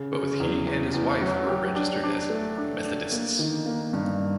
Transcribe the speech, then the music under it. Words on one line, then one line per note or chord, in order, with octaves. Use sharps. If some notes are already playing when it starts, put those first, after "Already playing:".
Both he and his wife were registered as Methodists.
Already playing: C#3
C#3
E2
E2
E2
F#3
G4
D4
D4
A3
D4
D4
A#3
D#3
A#3
G2